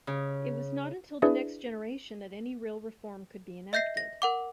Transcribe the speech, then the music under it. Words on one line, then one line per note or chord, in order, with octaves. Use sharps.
It was not until the next generation that any real reform could be enacted.
C#3
D4 E4 G#4 B4 D5 E5
D#5 E5 G6 A#6 C7
A#6
A#4 F#5 D6